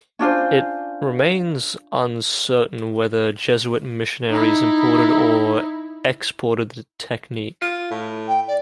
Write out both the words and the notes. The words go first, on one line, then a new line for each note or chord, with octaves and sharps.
It remains uncertain whether Jesuit missionaries imported or exported the technique.
C#4 D4 F4 C5
D#4 E4
F4
A2
G5
D5